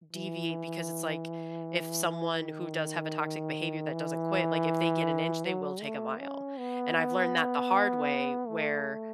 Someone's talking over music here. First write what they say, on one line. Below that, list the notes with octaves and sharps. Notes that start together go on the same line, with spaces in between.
deviate because it's, like, if someone who does have a toxic behavior that doesn't quit, like, if they get an inch, they will take a mile, and I've learned that the hard way where,
E3
D#3
E3
F#3
A3
C#4
B3
B3
A3